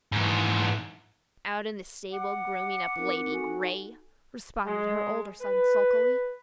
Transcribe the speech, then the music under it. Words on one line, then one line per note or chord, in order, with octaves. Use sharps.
"Out in the stable grooming up Lady Grey," responded her older son sulkily.
G#2 E3
F#5 D6
C4 D#4 A#4
D#4 F#4 A4 G#5
G#3
B4